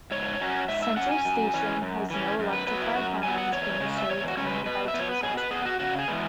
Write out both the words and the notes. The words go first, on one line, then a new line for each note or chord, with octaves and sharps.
Central station has no electrified lines being served only by diesel trains.
G#2 C#5
F#3 C#4
G#2 E5
E5
F#3 C#4 F#5
G#5
F#2
E3 C#4
F#2
E3 C#4
F#2
B4
F#3 B3 B4
E4
F#2 F#4
F#3 B3 G#5
F#5
E2 C#5
C#3 G#3 C#4
E5
E2 C#5
F#4
C#3 G#3 C#4 C#5
B4
B2 B4
E5
B3
C#5
B4
B2 G#4
B4
B3 G#4
F#4
C#3 F#4
G#4
E3 G#3 B3